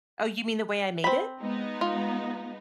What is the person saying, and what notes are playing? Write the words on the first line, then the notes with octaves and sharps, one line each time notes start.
Oh, you mean the way I made it?
C4 B5
G#3 B3 D#4
F4